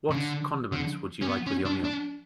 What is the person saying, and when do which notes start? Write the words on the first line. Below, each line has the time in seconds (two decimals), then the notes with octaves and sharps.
What condiments would you like with your meal?
0.10 C#3
0.15 D3
0.72 D3
1.21 C#4
1.28 B3
1.47 C#4
1.65 D4
1.84 D4